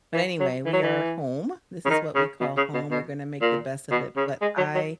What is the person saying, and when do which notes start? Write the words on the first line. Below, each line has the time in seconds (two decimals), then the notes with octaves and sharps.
But anyway, we are home. This is what we call home, we're gonna make the best of it, but I
0.14 E3
0.39 F#3
0.65 E3
0.73 F#3
0.82 E3
1.85 C#3
1.90 D#3
2.15 C#3
2.40 B2
2.57 C#3
2.74 B2
2.90 B2
3.41 A#2
3.91 B2
4.16 C#3
4.42 G#3
4.57 F#3
4.75 F#3